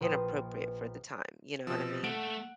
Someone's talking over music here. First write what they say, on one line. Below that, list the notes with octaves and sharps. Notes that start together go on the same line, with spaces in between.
inappropriate for the time. You know what I mean?
A#1 B4 C5 G5 D#6
B2 F3 E6
A3 F#5 D7